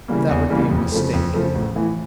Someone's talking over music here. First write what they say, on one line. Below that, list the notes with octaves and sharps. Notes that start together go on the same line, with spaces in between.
But that would be a mistake.
C#3 E3 G3 A#3
E2
C#3 E3 G3 A#3
F2
C#3 F3 A3
F2
C#3 F3 A3
A1
A2 E3